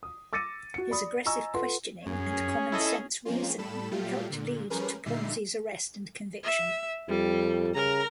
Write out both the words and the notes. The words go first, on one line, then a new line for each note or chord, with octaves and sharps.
His aggressive questioning and common-sense reasoning helped lead to Ponzi's arrest and conviction.
D#6
D6 E6 A6 A#6 C#7 D#7
F#4 C#7
D5 B5 D#6
D#5 G#5 A#5 C#6 E6
F4 A4 B4 F#5 C6
F#2 C#4 G#4
E4 A4 D#5
F3 G#3 A#3 C4 C#4 F4
A2 G3 A4 B5 E7
A#2 F#3 G3 A3 F4 G4
A#2 D3
F3 G3 C#4 G#4 A#4 B4
A#2 D3 G3 D#4 E5 C7
E5
F2 G3
C#3 A#4 A#5